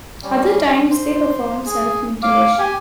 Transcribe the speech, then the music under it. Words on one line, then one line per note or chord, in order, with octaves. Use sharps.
Other times they perform self-mutilation.
G3 C#4
C5
G#4
F5 D6
G4 G#5